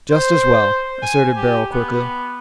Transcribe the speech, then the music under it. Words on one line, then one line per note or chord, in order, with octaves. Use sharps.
"Just as well," asserted Beryl, quickly.
C5
G#5
G4
B3